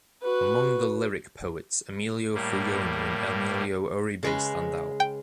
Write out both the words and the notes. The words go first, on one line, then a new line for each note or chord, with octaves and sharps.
Among the lyric poets, Emilio Frugoni and Emilio Oribe stand out.
F#4 B4
A2 G3 A#3
C#3 G#3 B4
G5